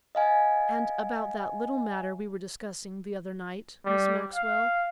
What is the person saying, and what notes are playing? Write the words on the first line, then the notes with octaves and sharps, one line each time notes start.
And about that little matter we were discussing the other night, Miss Maxwell.
D#5 F5 G#5
G3
F5